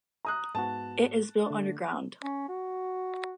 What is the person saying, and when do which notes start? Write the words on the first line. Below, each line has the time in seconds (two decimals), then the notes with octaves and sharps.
It is built underground.
0.25 A#5 D#6 F#6
0.55 G#2 B3 F#4 A5
1.46 D3 A3 D4
2.24 C#4
2.49 F#4